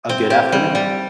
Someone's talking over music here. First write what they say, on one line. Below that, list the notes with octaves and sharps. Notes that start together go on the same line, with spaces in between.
a good afternoon.
C4
G4
G3
G3